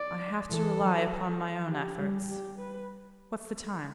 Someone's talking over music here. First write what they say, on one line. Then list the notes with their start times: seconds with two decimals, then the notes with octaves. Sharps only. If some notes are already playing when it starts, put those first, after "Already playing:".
I have to rely upon my own efforts. What's the time?
Already playing: D5
0.49 E3 A4
0.79 F#3
1.69 G4
1.98 G3
2.28 G4
2.58 B4